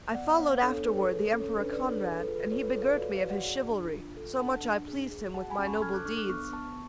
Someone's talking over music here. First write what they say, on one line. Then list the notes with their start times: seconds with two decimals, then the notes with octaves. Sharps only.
I followed afterward the Emperor Conrad, And he begirt me of his chivalry, So much I pleased him with my noble deeds.
0.14 B3 D5 F#5
0.29 F#5
0.38 B3 C#5 F5
0.62 D4 A4 C#5
0.74 A4
0.85 G#4 B4
0.97 A4 C#5
1.10 A4
1.25 A4
1.33 C#4
1.40 A4 C#5
1.57 D4 B4
1.73 B4 D5
1.81 D4
1.89 A4 C#5
2.03 G#4 B4
2.20 A4
2.27 F4
2.36 B4
2.51 F4 A4 C#5
2.63 B4
2.74 G#4 A4 C#5
2.82 F5
2.87 B4 D5
2.98 F#4 B4 D5
3.14 C#5 F5
3.22 F#4
3.30 D5 F#5
3.46 G#4
3.70 D4
3.93 F4
4.17 A4
4.40 D4 F#5 A5
4.64 D4
4.88 G#4
5.11 G#4
5.34 F#4 F#5 A5
5.50 G#5 B5
5.58 C#4
5.67 A5 C#6
5.82 A4 F6 G#6
5.94 D6 F#6
6.05 D4 C#6 F6
6.18 D6 F#6
6.30 B3 C#6 F6
6.52 B3 A5 C#6